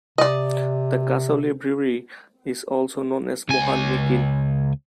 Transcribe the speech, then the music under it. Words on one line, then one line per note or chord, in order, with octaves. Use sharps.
The Kasauli brewery is also known as Mohan Meakin.
C3 D5 D#5
C#2 G#5